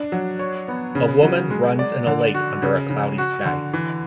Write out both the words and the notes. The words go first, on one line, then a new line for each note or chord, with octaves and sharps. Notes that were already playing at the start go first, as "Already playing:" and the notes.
A woman runs in a lake under a cloudy sky.
Already playing: D4
F#3
C#5
B3
C#3
F#3
G#3
D5
D3
F#4
C#3
C#3
F#4
D3
E3